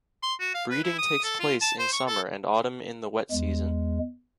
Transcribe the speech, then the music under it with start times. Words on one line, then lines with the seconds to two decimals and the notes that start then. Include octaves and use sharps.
Breeding takes place in summer and autumn in the wet season.
0.23 C6
0.40 F#4
0.54 F5
0.70 B4
0.84 E4
0.98 D#6
1.24 A4
1.40 F4
1.61 A5
1.79 C5
1.93 C#6
2.07 A4
3.31 E2 G#3